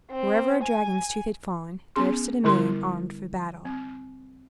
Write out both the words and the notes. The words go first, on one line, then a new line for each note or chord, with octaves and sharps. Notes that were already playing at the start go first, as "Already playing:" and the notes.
Wherever a dragon's tooth had fallen, there stood a man armed for battle.
C4
G#5
B3 C#4 G#4 C6
D3 G3 E4 A#4 C6
C4